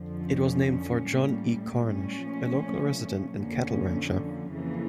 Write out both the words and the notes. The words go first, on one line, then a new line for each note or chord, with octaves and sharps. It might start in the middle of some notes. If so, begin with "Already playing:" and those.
It was named for John E. Cornish, a local resident and cattle rancher.
Already playing: F2 D3 F3
C#4
A2 G3 A#3
A#3
C#4
A#2 F3 A3
F2 D3 F3 A#3 C#4
F2 C#3 E3 A#3